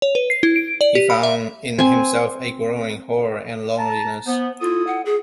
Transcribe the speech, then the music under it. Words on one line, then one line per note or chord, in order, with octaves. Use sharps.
He found in himself a growing horror and loneliness.
C#5
B4
C7
E4
D7
D5
G4
B5
E5
C4 G#5
A5 A#5
B3 C5
E4 F4 A4 D#6
F#5
G#4